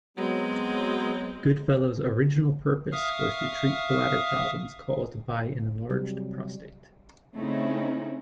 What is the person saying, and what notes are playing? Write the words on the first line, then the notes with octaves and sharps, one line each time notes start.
Goodfellow's original purpose was to treat bladder problems caused by an enlarged prostate.
F#3 G#3 B3 C4
E5 F5 C#6 D#6 F6
C3 F#3 G3
C#3 A3 C4 C#4 D#4 E4